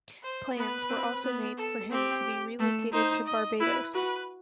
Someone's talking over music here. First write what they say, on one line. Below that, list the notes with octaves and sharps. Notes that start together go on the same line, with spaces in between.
Plans were also made for him to be relocated to Barbados.
C5
B3 B4
C4
B3
A4
C4 G4
A3 A4
D#4 C5
D#5
E4 B4
F#4 B4